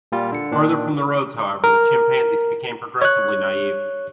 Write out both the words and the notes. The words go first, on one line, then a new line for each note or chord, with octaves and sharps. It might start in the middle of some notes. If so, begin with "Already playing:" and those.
Further from the roads, however, the chimpanzees become progressively "naive".
A#2 G3 F4
D3 C#7
A#2 D#3 D4
A#4
C#5 F#6